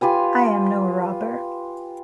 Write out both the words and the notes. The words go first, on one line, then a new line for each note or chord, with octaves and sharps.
I am no robber.
F4 G4 B4 G#5